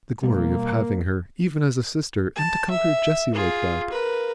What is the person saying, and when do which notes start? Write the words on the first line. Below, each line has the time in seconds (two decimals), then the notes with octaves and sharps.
The glory of having her, even as a sister! and to call her Jessie like that!
0.23 B2 G3 A#3
2.36 A5
2.71 E5
3.34 F4 G#4
3.91 A#4 B4